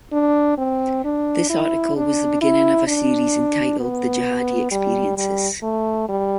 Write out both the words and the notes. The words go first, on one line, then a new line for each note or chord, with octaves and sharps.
This article was the beginning of a series entitled "The Jihadi experiences".
D4
C4
D4
E4
D4
E4
D4
B3
G3
G3
A3
G3